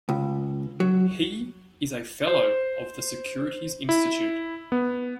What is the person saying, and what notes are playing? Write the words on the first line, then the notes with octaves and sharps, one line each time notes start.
He is a fellow of the Securities Institute.
C#2
F#3
C5
E4
B3